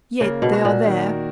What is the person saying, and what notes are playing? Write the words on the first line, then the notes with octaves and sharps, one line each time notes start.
Yet they are there.
C#3 A#3
B2
F#4
A#2
D#3